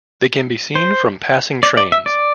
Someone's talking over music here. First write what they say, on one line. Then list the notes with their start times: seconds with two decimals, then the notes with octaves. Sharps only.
They can be seen from passing trains.
0.75 C5
1.63 D5
1.77 D5
1.92 E5
2.06 D5